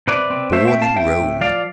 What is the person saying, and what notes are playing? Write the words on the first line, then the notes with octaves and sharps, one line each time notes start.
Born in Rome.
C3 B4 D5
C4
A3 C5 E5
E5 G5
C4
F5 A5
C4 E5 G5
A2
F3 D5 F5